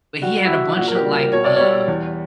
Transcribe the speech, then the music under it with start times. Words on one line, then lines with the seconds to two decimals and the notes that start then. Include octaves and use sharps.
but he had a bunch of, like, uh
0.22 G3 F#4
0.45 E4
0.49 E3 F#4
0.77 A#2 F#4
0.88 A#4
0.95 G4
1.05 G3
1.15 A#4
1.33 B2 C#5
1.44 D5
1.56 G3 C#5
1.88 E2